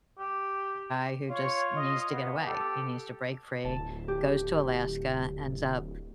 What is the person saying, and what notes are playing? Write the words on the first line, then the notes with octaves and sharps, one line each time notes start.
guy who just needs to get away, he needs to break free, goes to Alaska, ends up,
G4
F4 C#5
D#5
B3
G4 A4
D1 A5
G4